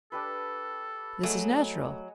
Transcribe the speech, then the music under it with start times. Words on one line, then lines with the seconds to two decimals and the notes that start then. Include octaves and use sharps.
This is natural.
0.12 D4 G4 A4 B4
1.23 F#3 A3 G#4 D#5